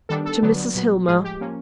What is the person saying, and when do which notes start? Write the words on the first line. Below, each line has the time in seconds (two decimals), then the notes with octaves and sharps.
"To Mrs. Hillmer."
0.09 D#3 G3 B3 D4 A4
0.25 A4
0.42 D3 F#3 B3 D4
0.75 A#2 F#3 B3
1.07 A2 F3 G#3 G#4
1.24 G4
1.41 F3 A#3 C#4